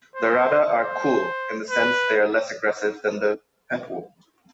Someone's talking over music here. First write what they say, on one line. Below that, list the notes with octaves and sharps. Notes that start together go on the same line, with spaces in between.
The Rada are "Cool" in the sense they are less aggressive than the Petwo.
C5
C5
B4